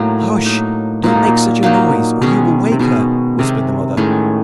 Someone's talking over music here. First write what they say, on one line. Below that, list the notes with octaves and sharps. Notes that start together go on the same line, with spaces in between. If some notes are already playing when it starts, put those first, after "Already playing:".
'Hush; don't make such a noise or you will wake her!' whispered the mother.
Already playing: A2 F#3 A#3 D#4
F#3 A#3 D#4
A#2 F#3 A#3 D#4
A2
A#2
F#3 A#3 D#4
B2 D#3 G#3 C#4
C3
B2 D#3 G#3 C#4
C3 D#3 G#3 C#4
A2 D#3 G#3 C#4